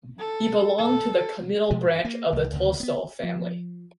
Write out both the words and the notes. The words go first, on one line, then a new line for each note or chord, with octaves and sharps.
He belonged to the comital branch of the Tolstoy family.
A4
A4
B2 F3 G#3 A3
G2
A#3
C2
D2 C#3
A#3 B3
F3